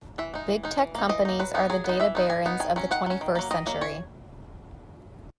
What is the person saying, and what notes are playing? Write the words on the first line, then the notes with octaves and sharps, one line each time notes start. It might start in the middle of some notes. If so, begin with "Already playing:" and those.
Big tech companies are the data barons of the twenty first century.
E3 E5
G#3 D#4
E3
G#3 D#4
E3
A#3 D#4
E3 D#5
A#3 D#4
F#3 B4
B3 D#4
F#3 G#4
B3 D#4
E3 E5
B3 D#4
E3 G#5
B3 D#4
D#3 G#5
F#3 C#4
D#3 F#5
F#3 C#4
D#3
F#3 A#3
D#3 D#5
F#3 A#3
E3 C#5